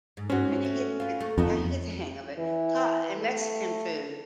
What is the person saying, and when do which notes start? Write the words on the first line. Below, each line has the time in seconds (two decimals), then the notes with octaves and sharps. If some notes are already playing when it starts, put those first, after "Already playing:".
And you get eh yeah, you get the hang of it. Ha and Mexican food,
0.17 G#2
0.30 G#2 C4 C#4 F#4
0.65 A3
1.00 F4 B4
1.20 A3 A#3
1.38 F2 A3 B3 D#4
2.38 E3
3.16 A3